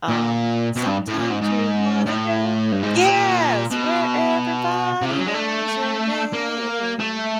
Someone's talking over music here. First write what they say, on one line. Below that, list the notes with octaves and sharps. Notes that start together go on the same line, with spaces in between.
Um, "Sometimes you wanna go" Yes, "Where everybody knows your name."
A#2
B2
G2
A2
A#2
G#2
G#2
A2
G2
G#2
A2
A#2
B2
C3
C#3
F#3
G#3
A3
A#3
A3